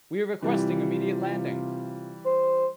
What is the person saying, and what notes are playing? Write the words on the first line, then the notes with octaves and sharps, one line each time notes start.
We are requesting immediate landing!
C3 E3 G3 F4
C5